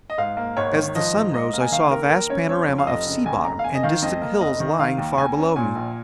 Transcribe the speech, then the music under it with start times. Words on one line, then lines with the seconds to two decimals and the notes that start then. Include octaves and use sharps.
As the sun rose I saw a vast panorama of sea bottom and distant hills lying far below me.
0.10 D#5
0.18 G#2 F5
0.37 A#3
0.57 G#1 C#5
0.76 D#3
0.95 F3 D#5
1.14 G#2
1.33 G#2 D#5
1.53 A#3
1.60 G#5
1.72 D#3 F5
1.91 D#2 A#4
2.10 D#2 A#4
2.30 C#4 C#5
2.49 F2 C#5
2.69 F3
2.78 F5
2.87 F1 D#5
3.06 C#3
3.26 D#2 G#5
3.44 F1 A#5
3.59 F5
3.64 F1 G#5
3.74 D#5
3.83 D#3 F5
4.02 F2 D#5
4.22 A#3
4.40 F1 D#5
4.60 D#3
4.79 D#3 F5
4.98 D#2
5.17 D#2 G#5
5.37 C#4
5.56 A#2 G#5
5.76 A#1